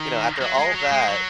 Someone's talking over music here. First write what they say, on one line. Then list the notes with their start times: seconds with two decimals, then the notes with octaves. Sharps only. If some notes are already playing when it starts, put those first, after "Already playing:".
you know, "After all that,"
Already playing: D#3
0.41 F#3
0.57 G#3
0.74 F#3
0.91 G#3
1.07 F#3